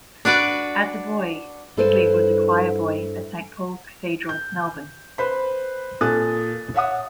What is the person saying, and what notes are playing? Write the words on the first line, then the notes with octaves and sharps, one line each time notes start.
As a boy, Sigley was a choir boy at Saint Paul's Cathedral, Melbourne.
D4 F#4 B4 D5
G2 E4 A4 B4 C5
G6
B4 C5 B5
A#2 A4 G#5 D#6 F#6 A6
C#5 E5 F#5 D#6